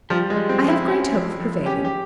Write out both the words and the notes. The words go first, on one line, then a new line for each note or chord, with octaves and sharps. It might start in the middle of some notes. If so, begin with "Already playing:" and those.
I have great hope of prevailing.
F3 G3
G#3
G3
C4
F2
E4
C#4
F2
F2
C#4 G4
G4